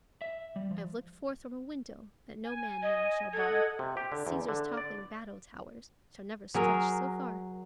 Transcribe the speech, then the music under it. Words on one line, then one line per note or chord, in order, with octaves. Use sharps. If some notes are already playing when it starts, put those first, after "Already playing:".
'I have looked forth from a window That no man now shall bar, Caesar's toppling battle-towers Shall never stretch so far.
E5
G3
F3
G#5
D#5
A4 D#5 F#5 G#6
C3
G4
D3
E2
D3
D5
F#3 G#4 A#4